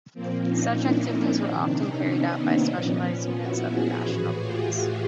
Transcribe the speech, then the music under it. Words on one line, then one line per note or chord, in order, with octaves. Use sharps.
Such activities were often carried out by specialized units of the National Police.
A#2 F3 A#3 C4
C#4 D#4
D4 E4
C3 D#3 C4 D4
C#4 D#4
B3 C#4
A#3 C4
A#2 F3 B3 C#4
E4 F#4
F#4 G#4
A2 E3
F4 G4
F4 G4